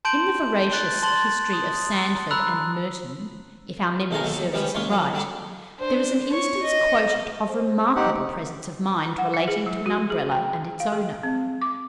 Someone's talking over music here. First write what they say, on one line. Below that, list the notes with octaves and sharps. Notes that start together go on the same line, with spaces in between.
In the veracious "History of Sandford and Merton," if our memory serves us aright, there is an instance quoted of remarkable presence of mind relating to an Umbrella and its owner.
A5 C6 G6 D7 F#7
F#6 A6
A5 C6 A6 F#7
D#6
A#5 B5 E6 F#6
B1 G#3 A4 F5 G#5 A#5
D#2 F#3 A4
D#3 F3 G3 G#3 C#4 B4
C#2 A#2 F4 C#5 A5 C6
F#3 F4 A4
D3 G3 D4 A5
D4 C5
C#5 C#6
D#5
C5
D#4 G4 F#5
F#5
E4
G#4
F#3
F#4
G#4
G5
F5
G#4
C4
D6